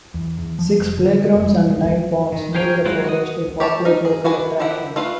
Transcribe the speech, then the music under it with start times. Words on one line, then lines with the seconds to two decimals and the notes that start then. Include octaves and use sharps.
Six playgrounds and nine ponds make the forest a popular local attraction.
0.14 E2
0.39 E2
0.59 F3
0.79 F1
0.98 D3
1.24 G#3
1.35 F1
1.47 G3
1.70 G#3
2.32 D#3
2.55 G4 G#4 A#4 C#5 G5
2.85 F#3 G#3 E4 F4
3.04 F#4 D#6
3.60 G4 C#5 G5 A5
3.85 D#4 A#4
4.05 G#4
4.24 D4 F#4 B4 G#5
4.60 F3 E4 G4 F#5
4.96 A3 F4 B4 F5